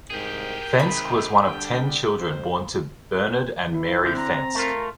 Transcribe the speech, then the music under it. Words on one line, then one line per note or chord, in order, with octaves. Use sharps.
Fenske was one of ten children born to Bernard and Mary Fenske.
C2 G#2 G4 G#4 A#4 G5
C3 D#3 G#3 B5
D3 G3 D4 G5
F2 C5
E3 E4
D3 C4 G6
A#5
A3 F4 A#4